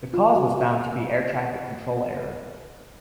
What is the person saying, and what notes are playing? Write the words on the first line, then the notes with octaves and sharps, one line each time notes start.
The cause was found to be Air Traffic Control error.
F4
F#4